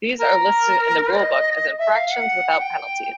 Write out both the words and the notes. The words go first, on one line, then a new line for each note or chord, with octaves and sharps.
These are listed in the rule book as infractions without penalties.
A#4
D#5
E5
F5
F#5
G5